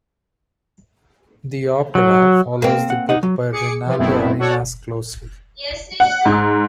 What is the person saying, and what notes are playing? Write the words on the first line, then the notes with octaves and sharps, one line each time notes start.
The opera follows the book by Reinaldo Arenas closely.
F#3
A#3 C4
F#5
D#4 D#5 F#5
F#3
G#4 D6 C#7
E3 F3
F#2 B2 A3 B3 C4 E4
F#4 A4 C#5 D5 F#5
F#5
G#2